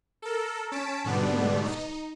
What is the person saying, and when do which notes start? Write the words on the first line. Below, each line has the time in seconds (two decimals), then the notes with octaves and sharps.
He laughed.
0.22 A4 A#4
0.72 C#4 A5 B6 D7
1.04 G#2 B2 D3 G3 B3 D4
1.61 D#4